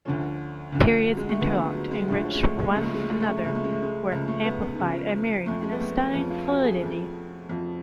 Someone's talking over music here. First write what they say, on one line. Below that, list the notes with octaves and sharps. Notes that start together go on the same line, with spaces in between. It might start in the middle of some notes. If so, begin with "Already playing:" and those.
Periods interlocked, enriched one another, were amplified and married in a stunning fluidity.
D2 D3 F3 C#4
D2 D3 F3
F#3
G#3
A3
D2 D3 F3 B3
A3
F#3
G#3
D2 D3 F3 A3
C#4
G#3
A3
G#3
A3
C#2 C#3 F3 G#3
A3
G#3
A3
G#3
A3
G#3
A3
C#2 C#3 F3 G#3
A3
G#3
A3
G#3
C#2 C#3 F3
A3
B3
B3
C#2 C#3 F3
F2 F3 A3
G#3
B3
A3
B3
F2 F3 C#4
F4
F#4
A4
G#4
F2 F3
F2 F3